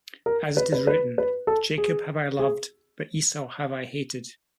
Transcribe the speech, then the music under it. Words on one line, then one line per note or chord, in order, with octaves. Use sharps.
As it is written, Jacob have I loved, but Esau have I hated.
A#4
B4
B4
B4
B4
A4
G#4
G#4